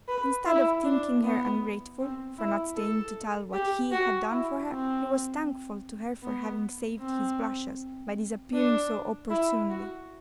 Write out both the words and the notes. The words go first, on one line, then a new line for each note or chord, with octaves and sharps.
Instead of thinking her ungrateful for not staying to tell what he had done for her, he was thankful to her for having saved his blushes, by disappearing so opportunely....
B4
E4
D4
B3
C4
E4
A4
G4
F#4
E4
C4
B3
C4
D4
E4
F#4